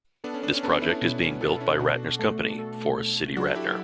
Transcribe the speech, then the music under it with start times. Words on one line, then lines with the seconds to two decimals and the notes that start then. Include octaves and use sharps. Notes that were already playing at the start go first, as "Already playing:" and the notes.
This project is being built by Ratner's company, Forest City Ratner.
0.24 B3 D4 A4
0.34 C#4
0.43 B3 D4
0.54 C#4
0.63 B3 D4 A4
0.82 C#4 E4
1.02 B2 C#4 E4
1.22 C#4
1.41 B3 D4 A4
1.60 C#4 E4
1.79 B2 D4 F#4
2.19 A3
2.59 A4
2.97 A4
3.36 F#3 D4 F#4
3.48 A4
3.55 E4 G4